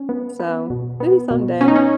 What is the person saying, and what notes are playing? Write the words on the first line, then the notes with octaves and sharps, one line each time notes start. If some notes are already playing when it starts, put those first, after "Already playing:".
So, maybe someday.
Already playing: C#4
B3
B3
B2
B3
B2
B3 C#4
D#4
C#4